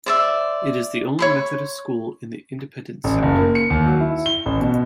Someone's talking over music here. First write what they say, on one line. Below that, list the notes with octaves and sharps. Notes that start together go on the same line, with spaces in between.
It is the only Methodist school in the independent sector in Wales.
C5 D5 E5
C#5 B5 C6
A1
F#1
A#3
C#7
D#2
F#3
E4
G7
A1
B2